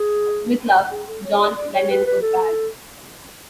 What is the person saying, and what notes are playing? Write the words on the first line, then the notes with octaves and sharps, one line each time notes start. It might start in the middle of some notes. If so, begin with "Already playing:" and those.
With love, John Lennon of Bag.
Already playing: G#4
G#4
A4
C#5
D5
D5
C#5
B4
B4
A4